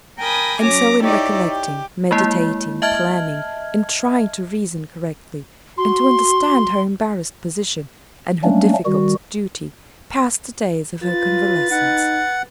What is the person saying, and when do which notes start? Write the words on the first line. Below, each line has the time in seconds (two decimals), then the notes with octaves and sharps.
And so in recollecting, meditating, planning, and trying to reason correctly, and to understand her embarrassed position, and her difficult duty, passed the days of her convalescence.
0.19 A#4 G5 G#5 B5 D#6
0.62 F#3 C#4 A#5 D6
1.04 D#4 E4 G4 C#5 D5
1.47 G4
2.11 G#3 A#3 E4
2.82 D#5 E5 A5 F6 G#6
5.78 F#4 C6
8.44 F#3 G3 A3 A#3 C#4 D4
8.86 D#3 G3 F#4
11.02 F4 B4 A6
11.71 D#4 F#5